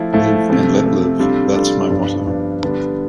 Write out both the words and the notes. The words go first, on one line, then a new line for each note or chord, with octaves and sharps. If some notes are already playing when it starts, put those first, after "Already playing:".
Live and let live, that's my motto.
Already playing: F3 A3 E4
F3 A3 E4
C3 F3 A3
C3 F3 A3
C3 G3 D4 F4 A4
C3 G3 D4 F4 A4
G2 F3 B3 D4
G2 F3 B3 D4
D3 G3 B3 D4